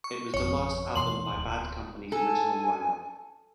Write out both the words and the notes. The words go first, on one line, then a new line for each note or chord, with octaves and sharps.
It was the last album by Bad Company's original line-up.
C#6
G#1 F2 C#5 C#6
E2 B2 C6 F#7
D1
A4 G#5